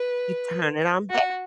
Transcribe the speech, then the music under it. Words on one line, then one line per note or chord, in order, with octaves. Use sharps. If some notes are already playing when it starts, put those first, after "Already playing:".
You turn it on back.
Already playing: B4
F#4